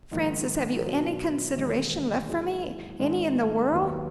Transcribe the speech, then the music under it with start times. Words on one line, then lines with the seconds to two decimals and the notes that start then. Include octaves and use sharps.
"Francis, have you any consideration left for me--any in the world?"
0.11 A#1 G#2 D#3
0.82 B2 F#3 A#3
1.56 E1 D#2 D#3 G#3 D#4
2.27 G#2 F#3 A#3 E4 G#4
2.99 G#2 D#3 G#3
3.72 D#2 D#3 F#3 B3